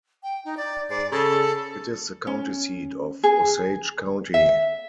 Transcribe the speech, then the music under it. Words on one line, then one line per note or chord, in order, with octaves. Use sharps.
It is the county seat of Osage County.
G5
D#4
D5
G#2 D5
C#3 A4
C#4
G#4
E5